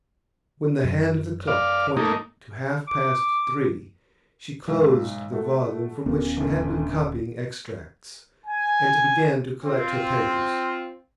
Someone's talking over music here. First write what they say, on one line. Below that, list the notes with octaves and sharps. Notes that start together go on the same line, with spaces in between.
When the hand of the clock pointed to half-past three, she closed the volume from which she had been copying extracts, and began to collect her papers.
F#2
D5 F5
A3 A#3 D#4
D6
B1 G#2 E6
A3 F#4 A4
D#1 A#2 B3 C#4
G1 D2
G#5
C4 F4